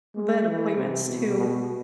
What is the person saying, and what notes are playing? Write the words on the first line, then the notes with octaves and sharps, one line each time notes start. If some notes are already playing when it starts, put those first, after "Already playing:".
vet appointments to
G#3
E3
C3
B2
B2